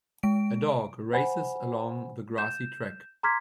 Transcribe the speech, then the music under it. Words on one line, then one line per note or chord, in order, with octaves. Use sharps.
A dog races along the grassy track.
G#3 D7
C5 F#5 G#5 B5
G6 E7
A#5 C6 D6 F6 G#6 B6